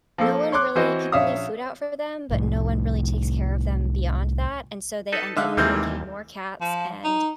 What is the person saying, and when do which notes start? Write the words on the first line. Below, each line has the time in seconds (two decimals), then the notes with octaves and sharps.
no one really people leave food out for them, but no one really takes care of them beyond that, and so, they end up making more cats and
0.18 F3 A#3 A4
0.52 C#5 C6 D6 F#6
0.75 E3 C4 F#4 C5 D#5
1.12 A#1 C#4 E5 F5 D#6
2.31 C2 A2
5.12 D#4 A4 B4 A5
5.37 D3 G#3 D#4 E5 F5 F#6
5.57 D#2 C3 E3 G3 A3 A#3 C4
6.61 F3
7.04 D#4